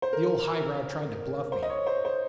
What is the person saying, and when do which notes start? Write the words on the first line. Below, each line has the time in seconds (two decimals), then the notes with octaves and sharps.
'The old high-brow tried to bluff me.
0.02 C5
0.13 A#4
1.52 C5
1.63 D#5
1.70 C#5
1.87 C5
2.05 C5